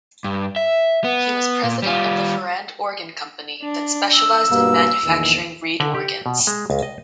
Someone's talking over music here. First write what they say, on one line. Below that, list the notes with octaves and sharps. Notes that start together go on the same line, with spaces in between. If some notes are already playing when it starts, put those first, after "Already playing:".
He was president of the Farrand Organ Company that specialized in manufacturing reed organs.
G2
E5
B3
A#2
G3 F4
D4
E6
G2 B2 A#3
A#1 E2 D#3
D3
G4
B2
G#3
C#2
D#5